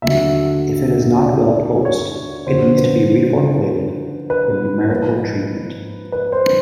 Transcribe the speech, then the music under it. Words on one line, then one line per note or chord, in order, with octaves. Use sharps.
If it is not well-posed, it needs to be re-formulated for numerical treatment.
D#2 D3 F#3 A3 E5
C#5
D5
C#5
F#2 D3 F3 C5
B4
B4
G#2 F3 A#3 B4
B4
C5